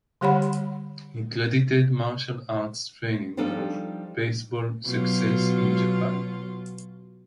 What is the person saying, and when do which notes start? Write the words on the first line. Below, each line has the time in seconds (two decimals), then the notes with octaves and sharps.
He credited martial arts training for baseball success in Japan.
0.21 D3 G3 G4 C#5 F#5 B5
3.37 F3 G3 D4 D#4 F4 A4
4.85 B2 F#3 F4